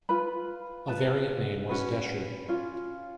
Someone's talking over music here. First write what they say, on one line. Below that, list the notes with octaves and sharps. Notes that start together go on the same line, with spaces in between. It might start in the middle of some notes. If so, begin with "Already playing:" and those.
A variant name was "Decherd".
F4 B4 B5
F4 B4 A5
C#4 F#4 B4
C#4 F4